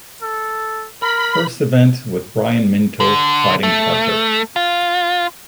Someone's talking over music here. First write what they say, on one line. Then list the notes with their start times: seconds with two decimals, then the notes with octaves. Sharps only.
First event with Brian Minto fighting Parker.
0.22 A4
1.02 A#4 B5
3.00 D3
3.63 A3
4.56 F4